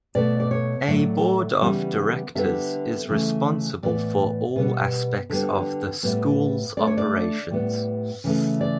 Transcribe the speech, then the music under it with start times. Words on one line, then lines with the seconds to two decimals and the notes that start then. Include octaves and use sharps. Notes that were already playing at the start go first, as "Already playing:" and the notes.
A Board of Directors is responsible for all aspects of the School's operations.
0.15 B2 A3 D5
0.40 D5
0.51 C#5
0.88 A2 F#3 A3 D5
1.61 C#3 E3 G3 B3
2.35 D3 G3 B3 E5
3.09 C#3 E3 A3
3.83 A2 E3 B3 D5
4.56 B2 G3 B3
5.30 D3 G3 B3
6.03 A2 G3 B3
6.77 D3 A3 D5
6.87 C#5
6.97 D5
7.51 A2 G3 B3
8.24 C#3 E3 A3
8.61 D5